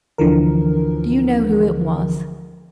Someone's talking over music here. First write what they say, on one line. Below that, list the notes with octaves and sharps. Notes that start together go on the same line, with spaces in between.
"Do you know who it was?"
D2 D3 E3 F3 A#4